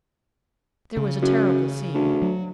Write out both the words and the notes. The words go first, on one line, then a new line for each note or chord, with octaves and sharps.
There was a terrible scene.
C#3
F#2
D2
F#3